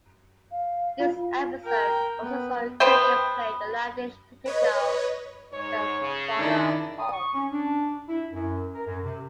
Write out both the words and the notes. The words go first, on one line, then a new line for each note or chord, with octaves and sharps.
This episode also saw Coogan play the laddish Peter Calf, the father of Paul.
F5
F4
A#4 G5
B3
B3 B4 C5 G5
B4 C#5 D#5
G#2 C#5
C#3
D#3 D4 E4
D#6
C#6
C#4
D4
E4
F#2
A#4
F#2
C3